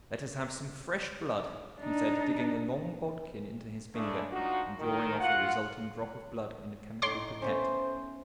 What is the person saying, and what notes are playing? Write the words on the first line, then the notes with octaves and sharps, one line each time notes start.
"Let us have some fresh blood," he said, digging a long bodkin into his finger, and drawing off the resulting drop of blood in a chemical pipette.
D4 D#4
C#3 G#3 A3 D4
D4 D#4 F4 F#4
D#3
F4 F#4 F5 F#5
A2 D#4 C#5 C6 D6
A3 B3 C#4 C5